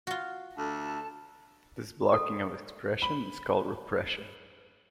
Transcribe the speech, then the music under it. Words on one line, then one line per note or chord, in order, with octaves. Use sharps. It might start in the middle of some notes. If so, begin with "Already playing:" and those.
This blocking of expression is called repression.
F4 F#4
D2 A4 A5
A4
B5